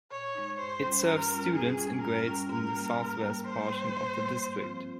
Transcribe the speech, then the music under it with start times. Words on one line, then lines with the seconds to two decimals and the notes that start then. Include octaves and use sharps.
It serves students in grades in the southwest portion of the district.
0.11 A#2 C#5
0.35 G#3 D#4
0.59 G2 C5
0.83 G3 C#4 F4
1.06 G2 A#4
1.30 G3 C#4 F4
1.54 G2 G#4
1.78 G3 C#4 F4
2.01 G2 A#4
2.26 G3 C#4 F4
2.49 G#2 A#4
2.73 G3 A#3
2.97 G#2
3.21 G3 A#3
3.44 G#2 C5
3.68 G3 A#3
3.93 G#2
4.16 G3 A#3
4.40 G2
4.64 F3 C4 F4